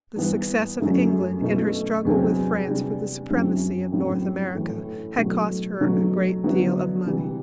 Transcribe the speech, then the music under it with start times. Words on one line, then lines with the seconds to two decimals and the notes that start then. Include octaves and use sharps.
The success of England, in her struggle with France for the supremacy of North America had cost her a great deal of money.
0.16 G2 E3 B3 E4
0.79 F#2 F#3 A3 E4
1.41 B2 A3 E4
2.05 E2 C3 F#3 C4
2.67 C3 G3 D4
3.29 F#2 F#3 C4 E4
3.92 A2 F#3 C4
4.55 A2 E3 A3 E4
5.18 B2 F#3 A3
5.80 B2 F#3 A3
6.44 D3 F#3 B3 E4
7.06 C3 E3 G3